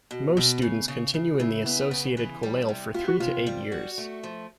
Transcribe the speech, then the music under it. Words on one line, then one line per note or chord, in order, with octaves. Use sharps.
Most students continue in the associated kollel for three to eight years.
B2
B2
C#3
C#3
C#3
F4
C#3 E4
B3
C#3
E3
G3
C3
B3 F4
F#4
C3 F4
G3
F#4
A3
F3